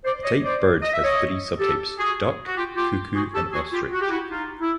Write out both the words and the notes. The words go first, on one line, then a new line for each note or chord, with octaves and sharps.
The type "bird" has three subtypes "duck", "cuckoo" and "ostrich".
C5 D5
C#5 D#5
C5 D5
D#5
E5
C#5 D#5
G4 A4
F#4 G#4
F#4
F4 G4
F4 G4
F#4 G#4
G4 A4
F#4 G#4
F4 G4
F#4
G4
E4 F#4
D#4 F4
E4